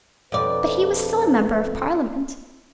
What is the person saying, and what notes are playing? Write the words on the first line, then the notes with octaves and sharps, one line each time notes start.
But he was still a Member of Parliament.
F2 B2 D4 A4 B4 D5